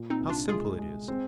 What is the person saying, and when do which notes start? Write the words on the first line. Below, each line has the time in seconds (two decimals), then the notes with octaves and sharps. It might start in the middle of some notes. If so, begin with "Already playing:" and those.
How simple it is.
Already playing: A#2
0.10 C4 D#4
0.20 C2
0.29 D4 F4
0.49 G#3 F4 G#4
0.79 G#3
1.08 C4